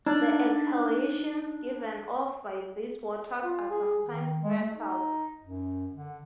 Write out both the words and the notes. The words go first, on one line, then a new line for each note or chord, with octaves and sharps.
The exhalations given off by these waters are sometimes fatal.
D4 D#4
F4
G#4
D#3
G#3
A3
D#4
F#2
D3